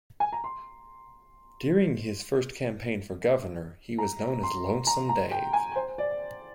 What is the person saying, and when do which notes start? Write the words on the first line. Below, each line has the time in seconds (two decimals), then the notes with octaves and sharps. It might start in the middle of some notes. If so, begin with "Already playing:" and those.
During his first campaign for governor, he was known as Lonesome Dave.
0.20 G#5
0.33 A#5
0.44 C6
3.98 A#5
4.43 C6
4.87 A#5
5.09 A#5
5.31 G5
5.53 G#5
5.76 C5
5.98 D5